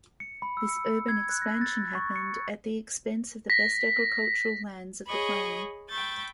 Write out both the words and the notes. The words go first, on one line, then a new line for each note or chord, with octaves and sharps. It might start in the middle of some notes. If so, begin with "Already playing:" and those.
This urban expansion happened at the expense of the best agricultural lands of the plain.
C#7
B5
E6
C#7
G#6
F#6
A#6
A6
C#6
C#7
A#6 B6
G#4 C#5 D#5 B5 C#6
G5 B5 C#6 E6 G6 A6